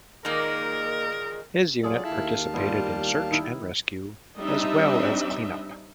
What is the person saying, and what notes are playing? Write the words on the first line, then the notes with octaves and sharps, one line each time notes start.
His unit participated in search and rescue as well as clean up.
A#2 D#3 G#3 A#3 D#4 A#4
F#3 F4 G#4 A4 D5
D#2 E4 F5 A5
G3 B3 E4 F4
D#3 E4
G3 C4 D4 D#4 D#5 E5